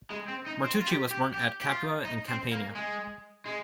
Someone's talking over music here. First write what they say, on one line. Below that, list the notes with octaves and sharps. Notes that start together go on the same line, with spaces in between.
Martucci was born at Capua, in Campania.
G#3
C4
D#4
C4
F4
G4
G4
G4
G4
F4
D#4
C4
A#3
G#3
G#3